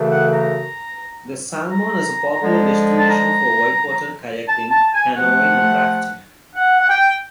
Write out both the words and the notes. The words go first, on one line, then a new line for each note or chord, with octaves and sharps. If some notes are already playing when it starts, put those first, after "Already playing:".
The Salmon is a popular destination for whitewater kayaking, canoeing, and rafting.
Already playing: F#2 C#3 E3 A3
F#5
A#5
A#5
D3 F3 G#3
A5
A#5
A5
A5
G#5
C3 F3 A3 F#5
F#5
F#5
G5